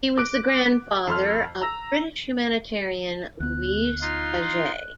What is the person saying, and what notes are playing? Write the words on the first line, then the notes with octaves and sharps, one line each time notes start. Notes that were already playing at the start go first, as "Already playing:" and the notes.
He was the grandfather of British humanitarian Louise Paget.
D6 F#6 D7
F2 A4 C6 F6
A#5 E6 A#6
D2 B3 F#6
D#4 F4 C6